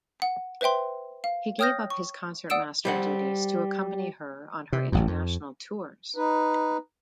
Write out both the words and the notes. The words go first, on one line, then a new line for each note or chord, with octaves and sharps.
He gave up his concertmaster duties to accompany her on her international tours.
F#5
B4 C5 E5 G5 C6
F5
C#5 G5 D#6 F6 G6 A#6
C#6
D5 F#5 D#6 E6 D7 E7
G3 C5 F#5
C3
A1 F#2
F2
D#4 B4